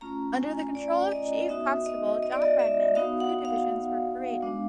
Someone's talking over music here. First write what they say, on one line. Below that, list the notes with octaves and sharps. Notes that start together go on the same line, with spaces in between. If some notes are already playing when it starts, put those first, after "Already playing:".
Under the control of Chief Constable John Redman, two divisions were created.
A3 C#4 F4 A#5
G#5
D5
D#5
B3 D#4 F#4 E5
D#5
D#5
D5
D#5
E5
B3 D#4 F#4 F5
F#5
F5
G#3 B3 D4